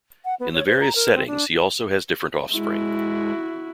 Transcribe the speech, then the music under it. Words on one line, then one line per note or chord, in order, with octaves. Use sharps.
In the various settings, he also has different offspring.
F#5
B3
C#5
C5
A#5
A#4
C4
D4
G#3 E4 F#4